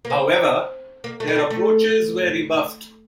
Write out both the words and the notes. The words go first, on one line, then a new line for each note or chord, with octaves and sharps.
However, their approaches were rebuffed.
A#3
C4
A#3
A3
G3
A3
A3